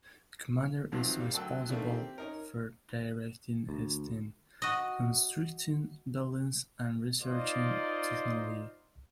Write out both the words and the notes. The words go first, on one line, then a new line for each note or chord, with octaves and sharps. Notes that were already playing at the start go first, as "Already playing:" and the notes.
A commander is responsible for directing his team, constructing buildings and researching technology.
G2 C3 D#3 F3 F#3 C4
G3 A#3
D2 F#3 G5 E6
D#3 A3 A#3 C4 D4 E4
C4 G4
C#4 D#4 A#4
D2
F#4 D#5
D#4 F4 C5 D5 D#5